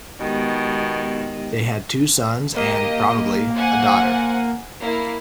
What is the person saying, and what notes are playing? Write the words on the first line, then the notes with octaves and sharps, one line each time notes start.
They had two sons and, probably, a daughter.
B2 D#3 G#3 B3 G4
A#3 G4 D#5
C5 F#5 G#5
A#3 E4